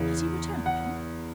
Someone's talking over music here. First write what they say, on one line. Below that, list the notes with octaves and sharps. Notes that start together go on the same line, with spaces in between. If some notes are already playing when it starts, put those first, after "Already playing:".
"Has he returned then--?"
Already playing: E2 C#3 E3
F#5